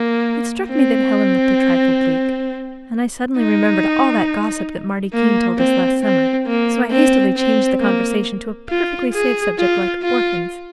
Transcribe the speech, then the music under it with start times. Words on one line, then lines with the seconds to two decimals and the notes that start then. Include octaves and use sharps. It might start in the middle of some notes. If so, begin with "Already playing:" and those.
It struck me that Helen looked a trifle bleak, and I suddenly remembered all that gossip that Marty Keene told us last summer; so I hastily changed the conversation to a perfectly safe subject like orphans.
Already playing: A#3
0.70 C4
3.37 D#4
5.13 A#3
5.58 C4
6.03 C4
6.47 A#3
6.91 C4
7.36 C4
7.80 A#3
8.69 F4
9.13 G#4
9.58 F4
10.02 F4